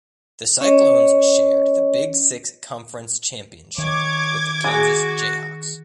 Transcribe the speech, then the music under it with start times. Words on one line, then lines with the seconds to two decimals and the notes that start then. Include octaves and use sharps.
The Cyclones shared the Big Six conference championship with the Kansas Jayhawks.
0.61 C#4 C#5 D#5
3.78 D#3 C#5 D6 G#6
4.64 F#4 G#4